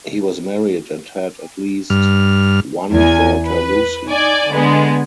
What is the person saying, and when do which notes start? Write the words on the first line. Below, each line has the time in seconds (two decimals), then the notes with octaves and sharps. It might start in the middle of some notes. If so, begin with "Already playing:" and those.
He was married and had at least one daughter Lucy.
1.90 G2 F6
2.91 E2 G#5
3.45 B4
4.09 D#4 D5 G#5
4.52 D3 G#3 B3